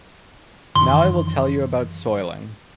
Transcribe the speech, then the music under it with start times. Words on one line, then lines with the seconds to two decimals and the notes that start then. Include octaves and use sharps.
Now I will tell you about soiling.
0.76 F#2 D#3 E3 C6